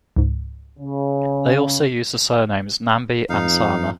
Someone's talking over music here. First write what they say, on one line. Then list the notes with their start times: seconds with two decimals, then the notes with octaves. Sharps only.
They also use the surnames Nambi and Sarma.
0.16 C#2 G#2
0.79 C#3
3.29 F2 D#4 F5